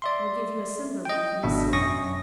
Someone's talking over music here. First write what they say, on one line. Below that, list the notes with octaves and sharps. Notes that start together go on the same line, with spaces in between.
"He will give you a similar one for Monsieur."
D5 E5 C6
D#5 G5
G#1 B2 D4 E5
F#2 C#4 C#6 D#6 A#6